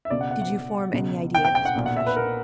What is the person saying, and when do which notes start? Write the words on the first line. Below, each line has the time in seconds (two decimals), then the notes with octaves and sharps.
"Did you form any idea of his profession?"
0.05 E5
0.10 C#2 B2 D5
0.21 F#5
0.31 F#5
0.42 F#5
0.93 C#2 B2
1.35 G5
1.45 G5
1.55 G5
1.65 F#5
1.76 B1 A#2
1.86 F#5
1.97 E5
2.07 B4
2.16 A#4